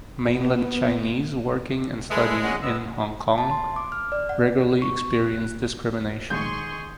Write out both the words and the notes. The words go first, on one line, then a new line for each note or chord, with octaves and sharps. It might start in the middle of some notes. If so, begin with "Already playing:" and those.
Mainland Chinese working and studying in Hong Kong regularly experience discrimination.
B3
G#3 A4 B4 E5
C#4 D#5 F#5
G#3 B3 E6
A5
C6
D6
F6
D5
F#5
C#6
F#6
D#2 G#2 G#3 G#4 C6 C#6 G6